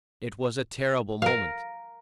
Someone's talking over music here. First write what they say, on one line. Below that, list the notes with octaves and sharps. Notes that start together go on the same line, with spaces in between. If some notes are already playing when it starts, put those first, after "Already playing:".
It was a terrible moment.
A#4 F5